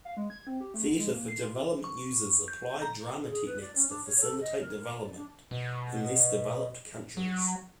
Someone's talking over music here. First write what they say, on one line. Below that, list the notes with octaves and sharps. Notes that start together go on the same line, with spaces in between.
Theatre for Development uses Applied Drama techniques to facilitate development in less developed countries.
F5
G#3
G#6
C4
G4
A3
D3
G#3
A#3
C7
F4
C#6
G6
A#5
G#4
B4
D5
C#4
D4
C#5
A4
D#5
A#4
D5
D4
B2
F#3